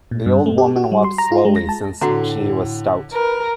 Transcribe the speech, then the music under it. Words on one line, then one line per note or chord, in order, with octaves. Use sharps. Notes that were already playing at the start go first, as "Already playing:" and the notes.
The old woman walked slowly, since she was stout.
A#2
G2
A3
G4
F#4
G3
C6
A#5
F4
G#3
A#6
A5
A2 D3 F#4 F#5 A#5
A#4 B4